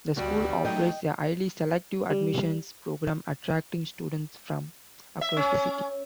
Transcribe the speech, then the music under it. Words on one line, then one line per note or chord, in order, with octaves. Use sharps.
The school operates a highly selective admissions program attracting students from across the city.
D2 G2 B2 G3 F#4
F#3 A3 D#4 D#5 G5
G3
E5
C#4